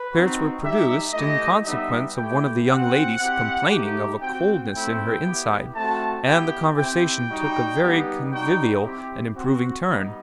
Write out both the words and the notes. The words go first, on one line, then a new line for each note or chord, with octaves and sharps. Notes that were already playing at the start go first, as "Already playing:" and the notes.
Spirits were produced, in consequence of one of the young ladies complaining of a coldness in her inside; and the conversation took a very convivial and improving turn.
Already playing: B4
C4 D#4 F#4
G3 D#4 G4 E5
A3 E4 G4 D#5
G3 B3 D#4 E5
A3 E4 G4 G5
C4 F#4 F#5
C4 E4 G4
A3 D#4 G4
C4 F#4 G5
A3 C4 E4 G5
B3 E4 G4
A3 C4 F#4 A5
B3 E4 G4 G5
C4 E4 G4 G5
G3 D#4 F#4
G3 B3 D#4 G4
G3 D#4 F#4 G5
C4 E4 G4
C4 F#4
G3 B3 D#4